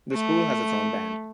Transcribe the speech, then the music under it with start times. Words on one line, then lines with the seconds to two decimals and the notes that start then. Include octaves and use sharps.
The school has its own band.
0.13 A3